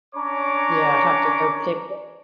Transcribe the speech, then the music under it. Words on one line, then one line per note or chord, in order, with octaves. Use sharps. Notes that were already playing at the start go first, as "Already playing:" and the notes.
Yeah, have to go pick it.
C#4 D4 C#5 A#5 D6